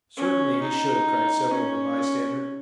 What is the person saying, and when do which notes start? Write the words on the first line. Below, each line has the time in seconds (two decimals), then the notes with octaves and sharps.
"Certainly he should!" cried several of the bystanders.
0.17 C#4
0.61 D#4
1.51 C#4